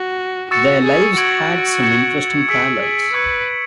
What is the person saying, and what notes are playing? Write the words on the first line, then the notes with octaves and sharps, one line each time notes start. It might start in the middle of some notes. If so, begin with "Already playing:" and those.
Their lives had some interesting parallels.
Already playing: F#4
F#4 C#6 E6 A6 C#7 E7
G#4
F#4 C#6 G#6 D7 F#7
G#6 C#7 E7
G#4 E6 B6 D7 F#7
G#4
B4 C#6 E6 G#6 C#7